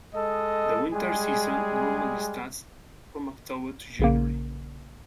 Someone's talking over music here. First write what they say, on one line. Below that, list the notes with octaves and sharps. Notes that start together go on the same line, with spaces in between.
The winter season normally starts from October to January.
G#3 A4 D#5
G3 G#3 G#4
A#1 C#3 A#3